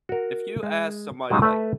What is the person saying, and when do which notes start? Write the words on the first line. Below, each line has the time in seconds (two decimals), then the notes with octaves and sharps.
If you ask somebody, like
0.09 F#4 A#4
0.63 G#3
1.30 F#3 G#3 C#4 D#4 F4 G4
1.42 A3 B4 E5